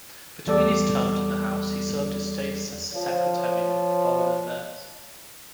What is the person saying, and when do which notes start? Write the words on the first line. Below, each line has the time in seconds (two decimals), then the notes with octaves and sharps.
Between his terms in the House he served as State Secretary for Foreign Affairs.
0.47 E2 G3 A4 D5 D6
2.94 F3 C#5